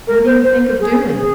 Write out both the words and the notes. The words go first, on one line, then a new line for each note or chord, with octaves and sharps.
'What do you think of doing?'
A#4
C5
C5
G#4
G#4